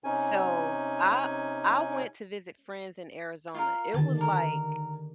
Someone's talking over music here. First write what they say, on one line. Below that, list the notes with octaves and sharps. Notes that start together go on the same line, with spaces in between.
So, I I went to visit friends in Arizona, it was, like
C3 C#4 D#4 G#5
F4 A#4
D3 D#3 G4 A5
A#4